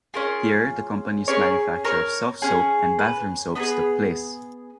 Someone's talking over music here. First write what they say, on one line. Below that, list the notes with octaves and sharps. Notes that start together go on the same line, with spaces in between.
Here the company's manufacture of soft soap and bathroom soaps took place.
C#4 F4 G#4 A#4
C#4 G#4 A#4 C#5
A#4 C#5
C#4 G#4
B4
B3 D#4 G#4 B4